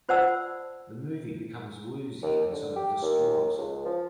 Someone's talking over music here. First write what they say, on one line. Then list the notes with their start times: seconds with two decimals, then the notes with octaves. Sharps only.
The movie becomes woozy and sort of distraught.
0.09 F4 C5 D5 F#5 A5 E6
2.22 D#2
2.52 D3
2.76 G4
3.02 D#2
3.58 C#2
3.85 F3